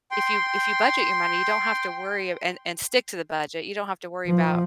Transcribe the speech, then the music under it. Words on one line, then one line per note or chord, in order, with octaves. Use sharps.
if you if you budget your money, you don't have to worry- and and stick to the budget- you don't have to worry about
G5 C6
F3